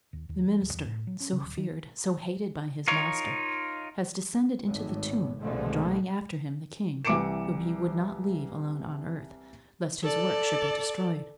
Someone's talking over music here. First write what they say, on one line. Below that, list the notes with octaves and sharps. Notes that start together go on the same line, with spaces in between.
The minister, so feared, so hated by his master, has descended into the tomb, drawing after him the king, whom he would not leave alone on earth, lest his work should be destroyed.
D#2
D#2
F3
D1
E2
A2
F#3
C#4
C#3
D1
D#3
D#4 F4 A#4 C#5
G#1 A2
C2 B2 D3 F3 G#3 A3
C2 E3 D6 C#7 D7 E7
A4 D5